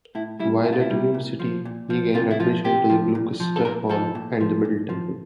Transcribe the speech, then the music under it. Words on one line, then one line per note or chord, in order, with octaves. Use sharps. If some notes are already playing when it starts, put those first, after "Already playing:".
While at university, he gained admission to Gloucester Hall and the Middle Temple.
A2 E4
G3 E4
A2 E4
F4
E4
G3
A#2
F3
A#2
F3
C3 F4
E4
F3 F4
C3 G4
F3
A#2
F3
A4
A#2 A#4
F3 A4
A#2
F3
A#2
F3